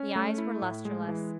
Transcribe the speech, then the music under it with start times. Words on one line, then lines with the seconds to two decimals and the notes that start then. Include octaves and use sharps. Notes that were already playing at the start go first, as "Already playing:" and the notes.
The eyes were lustreless.
Already playing: C#4
0.16 A3
0.38 E4
0.62 A2
0.85 G#3
1.08 E3